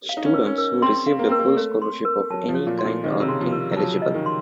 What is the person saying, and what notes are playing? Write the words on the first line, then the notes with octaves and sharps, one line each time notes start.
Students who received a full scholarship of any kind are ineligible.
F5
D#4
C#4
D#4 A#4
C#4
A#4
C4 C6
F5
A#3
C4 A#4
A#3
A3 C#5
C6
A#4
F#3 A5
F3
C#5
A#2
C6
A#2
D#3 D#5
C#3
C3
C#3 C6
F3
A#4
F#3
F3 A5
D#5
D#3
C6